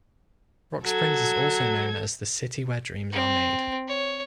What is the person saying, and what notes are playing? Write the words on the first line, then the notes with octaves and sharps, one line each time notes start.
Rock Springs is also known as the "City Where Dreams are Made".
F#3 A4 G#6
C4
C#5